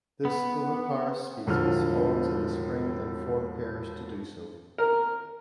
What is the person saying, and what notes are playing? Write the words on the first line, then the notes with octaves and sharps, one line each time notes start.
This oviparous species spawns in the Spring and form pairs to do so.
B3
E1 A2 D3 F3 F6
A#4